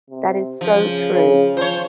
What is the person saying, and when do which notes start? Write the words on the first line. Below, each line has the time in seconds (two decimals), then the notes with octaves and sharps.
That is so true.
0.10 C3
0.61 C#3 F3
1.12 C#3
1.57 F3 C5 C#5